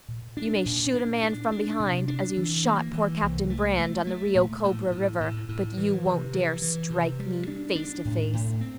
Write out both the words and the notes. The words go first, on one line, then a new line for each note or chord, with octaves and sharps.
You may shoot a man from behind, as you shot poor Captain Brand on the Rio Cobra River, but you won't dare strike me face to face.
A#2
D4
A#2
D4
D4
D4
C3
D4
E3
A#3
E3
C2
A3
A3
A3
A#2
A2
A2
A2
A2
E3
C3
E3
E3
C3
G3
D4
D4
A2
A2
C4